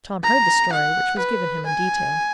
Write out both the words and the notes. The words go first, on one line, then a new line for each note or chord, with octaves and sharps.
Tom heard the story, which was given him in detail.
A#5
F#5
B4
G#5